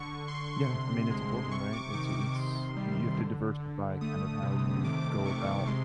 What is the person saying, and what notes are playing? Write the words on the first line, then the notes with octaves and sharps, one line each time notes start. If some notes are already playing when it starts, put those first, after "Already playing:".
Yeah. I mean, it's important right? It's a it's you have to diversify kind of how you go about
Already playing: D3 C#6
D3 C6
C3
G#3
C3 C#6
D6
D#3 D6
D6
C#6
C3 C6
G3
D3
D3
A3 D#6
C3
D#3 D6
C3 C#6
G#3 C6